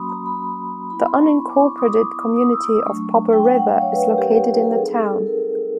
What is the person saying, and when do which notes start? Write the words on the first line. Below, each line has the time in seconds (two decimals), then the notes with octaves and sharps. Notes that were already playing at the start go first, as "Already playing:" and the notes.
The unincorporated community of Popple River is located in the town.
Already playing: F#3 A#3 C#4 F#4 B5 C6 D#6
0.09 A#5
0.26 B5
0.90 B3 E4 B5
1.07 C6
1.23 C#6
1.39 C#6
1.50 D6
1.61 C#6
1.78 D#6
1.88 D6
2.36 D#6
2.52 E6
2.69 D#6
2.84 F#3 A3 D4 C#6
3.33 G5
3.45 G5
3.57 F#5
3.69 F5
3.82 C#5
3.94 B4
4.05 A#4
4.18 G4
4.57 B4
4.63 A#4
4.71 A4
4.78 G3 C4 D#4 G#4
5.03 A4
5.26 A#4